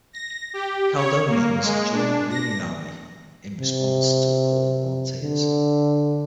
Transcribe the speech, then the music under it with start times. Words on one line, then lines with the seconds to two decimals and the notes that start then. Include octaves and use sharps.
Caledonians joined the Union Army in response to a call for volunteers.
0.13 A#6
0.53 G4
0.96 C#5
1.27 A#3
1.62 G#3
1.93 D4
2.30 A#6
3.61 C3
5.22 D3